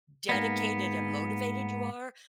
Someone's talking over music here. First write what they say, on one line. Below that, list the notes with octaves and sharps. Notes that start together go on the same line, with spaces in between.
dedicated and motivated you are
G#2 A#3 B3